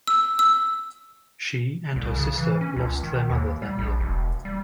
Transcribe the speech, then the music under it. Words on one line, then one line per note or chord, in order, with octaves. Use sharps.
She and her sister lost their mother that year.
E6
E6
C2
C#3
E3
C#4
C#2
D#3
D#2
G3
A#1
E1
G3